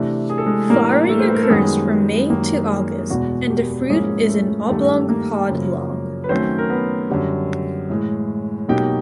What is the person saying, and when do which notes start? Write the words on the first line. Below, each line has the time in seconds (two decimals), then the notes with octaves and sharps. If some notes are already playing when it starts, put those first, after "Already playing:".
Flowering occurs from May to August and the fruit is an oblong pod long.
Already playing: C3 E3 A3 D4
0.30 G#4
0.38 A4
0.46 G#3 G#4
0.69 A2 E3 G3 A#3 D4 A#4
1.09 A3 A4
1.19 C5
1.28 B4
1.34 A#4
1.43 A4
1.49 F#2 D#3 G3 G#3 B3 G#4
2.29 F#2 D#3 G3 A#3
3.10 E2 B2 G#3 F#4
3.50 G4
3.89 G#2 F3 G#3 A#3 C#4 E4 G#4
4.29 A3 A4
4.69 G2 D#3 G3 A3 A4
5.09 A#3 A#4
5.49 F#2 C#3 F3
6.24 B4
6.29 D#3 F#3 A3 C4 C#4 C5
6.58 A#4
6.70 B3 B4
7.10 F#2 D3 G3
7.90 A2 E3 G#3
8.69 B2 F#3 A#3 D#4 G4 G5